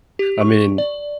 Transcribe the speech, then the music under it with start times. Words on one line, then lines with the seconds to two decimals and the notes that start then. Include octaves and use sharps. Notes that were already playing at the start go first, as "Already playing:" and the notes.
I mean,
0.19 G4
0.41 C#6
0.78 D5